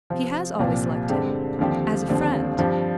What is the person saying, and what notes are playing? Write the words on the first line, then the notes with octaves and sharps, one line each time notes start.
"She has always liked him--as a friend."
C3 F3 C4
C2 A#2 F3 C4 G4
G2 D3 G#3 C4 G4
D#2 D3 F3 C4 G4
F1 D#2 D3 F3 C4
G2 F3 C4 G4